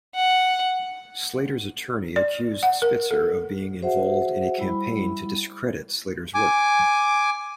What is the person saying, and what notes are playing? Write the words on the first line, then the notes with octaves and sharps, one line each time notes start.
Slater's attorney accused Spitzer of being involved in a campaign to discredit Slater's work.
F#5
D5
F#5
A#4
A4
F#4 G#4 C5 E5 F#5
G3 E4 B5
G#5 D6